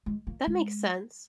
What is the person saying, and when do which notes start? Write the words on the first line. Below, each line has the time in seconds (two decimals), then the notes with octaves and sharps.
That makes sense.
0.06 G#3
0.27 A#3
0.47 G#3